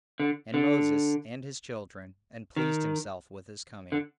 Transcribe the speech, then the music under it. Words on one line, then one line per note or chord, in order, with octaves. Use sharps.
And Moses and his children, and pleased himself with his coming.
D3
D3
D#3
D3